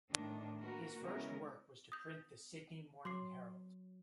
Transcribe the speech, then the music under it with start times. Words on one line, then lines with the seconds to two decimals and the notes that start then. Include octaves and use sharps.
His first work was to print the "Sydney Morning Herald".
0.11 A2 D#3 D4
0.61 A#3 F#4 A#4 B4
1.03 C#3 G#3 B3 E4 A#4
1.92 D#6 G6
3.05 F#3 C6 D6 C7